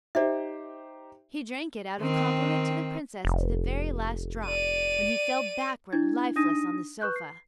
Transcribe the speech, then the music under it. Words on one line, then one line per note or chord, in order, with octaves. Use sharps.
He drank it out of compliment to the princess to the very last drop, when he fell backward lifeless on the sofa.
D#4 G4 C5 D5 E5
D#3 C4
F1
D5 D#7
D4 E4 G#6
D4 D#4 D#6 A#6 D#7
B4 C#6 F#6 G6
C7